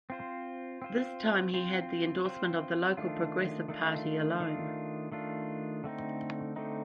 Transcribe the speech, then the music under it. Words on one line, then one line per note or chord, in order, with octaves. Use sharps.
This time he had the endorsement of the local Progressive Party alone.
C4 F4 C5
C4 F4 C5
C4 F4 C5
C4 F4 C5
D#3 A3 D4 F4
D#3 A3 D4 F4
D#3 A3 D4 F4
D#3 A3 D4 F4
D3 A3 C4 D#4
D3 A3 C4 D#4